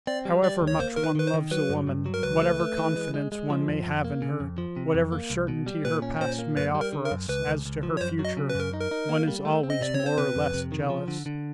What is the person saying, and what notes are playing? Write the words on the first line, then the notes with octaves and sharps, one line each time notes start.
However much one loves a woman, whatever confidence one may have in her, whatever certainty her past may offer us as to her future, one is always more or less jealous.
C4 D5
G3
G3 D5
D2
C#5
A#3 C5
D#3 A#4
B4
D#3 B4
C5
D#3
F#3 B4
G2
G2
F#3
A#4
C#2 B4
A3
A3
E3
G#3
G#3
G#3
F3
F2
F2
A#3
C#3
F2
F3
C3
F2
A#3
C2
B2
G3
A#2 B4
C#4
A#2 C5
A#3
F#2 B4
G3
A#4
D3
A#4
F#2
C#2 B4
C#2
C#2
F3
C#5
F#2 C5
F#3
D#5
C#3
B4
F#2 A#4
D#4
A#4
D#4
A#3
G3
A3
C4
D#5
C3 D5
C#5
C4
C5
C3 B4
F2
C3
D#3
F3
D3
D3